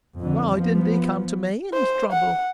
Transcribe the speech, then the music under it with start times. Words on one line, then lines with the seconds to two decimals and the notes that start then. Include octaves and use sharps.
"Why didn't he come to me in his trouble?"
0.19 F2 D3
0.53 F3 B3
1.73 C5
2.12 F#5